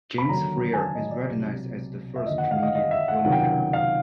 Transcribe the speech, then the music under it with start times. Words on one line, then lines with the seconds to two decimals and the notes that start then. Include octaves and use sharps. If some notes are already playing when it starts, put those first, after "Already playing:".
James Freer is recognized as the first Canadian filmmaker.
0.18 B5
0.28 D#2 D3 F#3 A#5
0.73 G#5
0.78 A5
0.95 D#5
1.11 D5
1.27 C2 B2 F#3
2.16 E5
2.26 D#2 D3 F3 D#5
2.38 F#5
2.51 F5
2.63 D#5
2.75 D#5
2.91 E5
3.08 F#5
3.24 C#2 C3 D#3 F#3 F#5
3.32 G5
3.40 F#5
3.73 F5